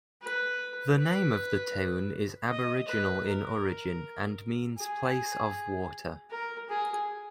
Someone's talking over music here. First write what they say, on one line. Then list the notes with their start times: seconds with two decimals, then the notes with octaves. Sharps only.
The name of the town is Aboriginal in origin and means "place of water".
0.22 B4
0.97 B4
2.50 D#5
2.88 B4
3.26 A#4
4.78 G#4
6.30 A#4
6.69 G#4